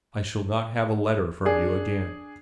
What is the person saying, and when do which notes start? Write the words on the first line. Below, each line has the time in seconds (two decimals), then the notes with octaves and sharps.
"I shall not have a letter from you again."
1.45 D4 G#4